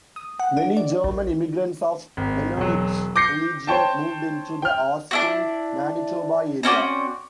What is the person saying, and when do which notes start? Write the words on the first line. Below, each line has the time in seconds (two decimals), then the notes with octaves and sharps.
Many German immigrants of Mennonite religion moved into the Austin Manitoba area.
0.16 D#6
0.40 F#5
0.57 D4
0.77 D5
1.04 A#1
2.17 G#1
2.57 E1 F#3
3.16 D6 G6 A#6 C7 C#7
3.67 C5 C#5 G5 A5
4.62 G5 F6
5.11 D4 E4 F#4
6.63 C4 C#4 F#4 D5